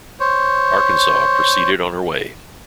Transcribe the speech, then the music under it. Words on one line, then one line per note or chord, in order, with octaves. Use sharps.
"Arkansas" proceeded on her way.
C5 C#5